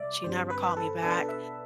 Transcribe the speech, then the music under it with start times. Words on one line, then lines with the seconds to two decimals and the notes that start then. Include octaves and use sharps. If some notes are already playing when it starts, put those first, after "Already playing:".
She never called me back.
Already playing: C3 G3 D5 E5
0.24 G2 D3 G3 C4 C5
0.50 B4
0.77 A4
1.02 B2 B3 D4 A4
1.10 B4
1.17 A4
1.29 E5